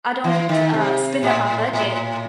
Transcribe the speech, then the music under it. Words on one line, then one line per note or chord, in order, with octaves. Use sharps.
I don't, uh, spend up my budget
E3
D#3
C3
A2
A2